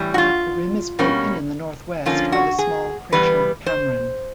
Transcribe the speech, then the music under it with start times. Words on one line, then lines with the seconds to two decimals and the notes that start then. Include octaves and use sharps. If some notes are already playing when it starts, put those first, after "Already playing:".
The rim is broken in the northwest by the small crater Cameron.
Already playing: A2 E3 G3
0.14 F#4
0.18 F4
0.99 B2 G3 A#3 C#4
2.06 D3 F3 A#3 C#4 F4
2.32 F#4
2.59 G#4
3.13 E3 G3 B3 B4
3.66 C5